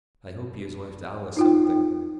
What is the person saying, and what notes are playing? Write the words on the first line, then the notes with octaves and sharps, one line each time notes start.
"I hope he has left Alice something."
D#4 F4 G5